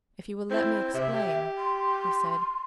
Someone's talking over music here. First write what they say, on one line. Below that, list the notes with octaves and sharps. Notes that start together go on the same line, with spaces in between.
"If you will let me explain," he said.
C4 E4
C3 E5
G4
C6